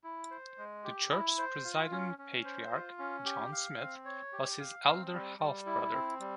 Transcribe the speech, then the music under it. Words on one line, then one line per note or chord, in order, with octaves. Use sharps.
The church's presiding patriarch, John Smith, was his elder half-brother.
E4
C5
G#3
G4
E4
C5
F4
C#4
C#4
C5
F4
C#4
G4
F5
C4
C#5
G4
F5
C4
G3
G3
E4
C4
G3